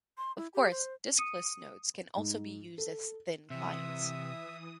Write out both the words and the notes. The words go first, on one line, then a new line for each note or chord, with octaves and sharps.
Of course, diskless nodes can also be used as thin clients.
C6
E4
G4
C5
D#6 C#7 D#7
G#2
A4
C3 E3 E5 D#6